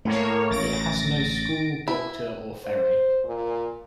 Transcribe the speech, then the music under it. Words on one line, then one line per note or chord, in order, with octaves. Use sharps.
It has no school, doctor, or ferry.
A2 A3 A#3 C#5
A1 A6 A#6 D7
E4
C5
A#2